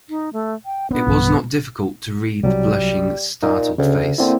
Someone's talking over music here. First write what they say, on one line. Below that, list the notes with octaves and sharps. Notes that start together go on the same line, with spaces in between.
It was not difficult to read the blushing, startled face.
D#4
A3
G5
B3 C4 D4
B1 G2 E3
C2 F#3 G3
A#2 D#4
D2 C#3
D3 A#3 C4 E4